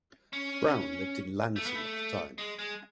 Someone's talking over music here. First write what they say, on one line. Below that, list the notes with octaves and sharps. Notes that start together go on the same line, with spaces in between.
Brown lived in Lansing at the time.
C#4
A3
B3
A3
G#3
G#3